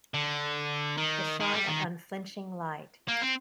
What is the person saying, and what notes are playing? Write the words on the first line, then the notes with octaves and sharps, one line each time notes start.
To shine an unflinching light.
D3
D#3
D#3
G3
D#3
A#3
C4